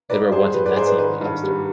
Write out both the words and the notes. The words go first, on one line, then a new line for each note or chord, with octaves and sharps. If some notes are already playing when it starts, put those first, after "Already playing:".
Edward wanted Nancy but lost her.
G#2 B4 D5
G3 G#4 C5
G3 B4
B4 D5
G#2 G#4 C5
B4
D#3 B4
G2
G3